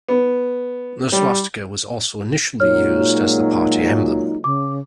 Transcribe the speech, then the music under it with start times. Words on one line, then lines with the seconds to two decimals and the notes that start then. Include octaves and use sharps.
The swastika was also initially used as the party emblem.
0.08 B3
1.12 G3
2.60 A#2 F#3 G#3 D#4 C#5 F6
4.44 C#3 D6